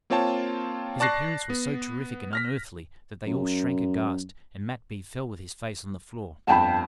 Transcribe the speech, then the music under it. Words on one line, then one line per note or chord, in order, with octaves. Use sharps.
His appearance was so terrific and unearthly that they all shrank aghast, and Mat Bee fell with his face on the floor.
A#3 C4 F4 C#5 G5 A5
D5 A5 C#6 F#6 A#6 C7
B3
F6 A#6 B6
F#2
G1 F2 F#5 G5 A5 B5